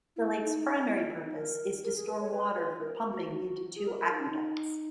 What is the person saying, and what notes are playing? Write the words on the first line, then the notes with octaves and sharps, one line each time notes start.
The lake's primary purpose is to store water for pumping into two aqueducts.
E4
D#4
E4
D#4
A#4
A#4
G#4
B4
C#5
B4
B4
A#4
A#4
F#4
F#4
G#4
A#4
A#4
D#4
C#4
D#4